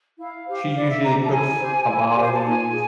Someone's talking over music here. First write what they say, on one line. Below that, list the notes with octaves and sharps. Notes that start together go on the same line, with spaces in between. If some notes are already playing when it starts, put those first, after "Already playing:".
She usually cooks tamales,
E4 F5
G4 C5 F5
E4 D5
E5
G4 C5 A#5
A5
E4 G#5
G4 C5
E4
G4 C5
A5
D#4 G#5
G#4